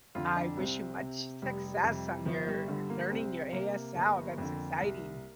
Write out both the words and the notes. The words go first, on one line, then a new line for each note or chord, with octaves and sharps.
I wish you much s success on your learning your ASL. That's exciting.
F2 D3 F4
D4
C2 C4
C3
F1 G3
F2 C3 G3
G1 F3
G3
G2 D3 G3
A#3
C2 C4
C3 A#3
G1
F2 D3
C2